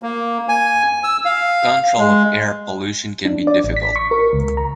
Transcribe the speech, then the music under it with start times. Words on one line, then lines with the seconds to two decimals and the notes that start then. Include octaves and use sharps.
Control of air pollution can be difficult.
0.02 A#3
0.49 G#5
1.04 E6
1.25 F5
1.98 G#3
3.25 D4
3.47 D5
3.64 A1
3.76 B6
3.96 C#6
4.11 A#4
4.33 C#2
4.57 A#5